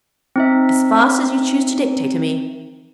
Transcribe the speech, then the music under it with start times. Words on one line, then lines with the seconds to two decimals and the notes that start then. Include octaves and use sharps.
'As fast as you choose to dictate to me.'
0.36 C4 D#4 E5